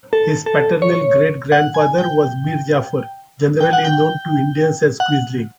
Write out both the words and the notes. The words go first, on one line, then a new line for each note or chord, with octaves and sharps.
His paternal great-grandfather was Mir Jafar, generally known to Indians as a quisling.
A4
A4
C#5
F#5
G#5
G5
G5
F#5
G5
F#5